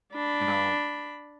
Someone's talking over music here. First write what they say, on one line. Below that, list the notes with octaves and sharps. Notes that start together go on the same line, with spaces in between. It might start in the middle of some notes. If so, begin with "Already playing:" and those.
you know,
D4 B5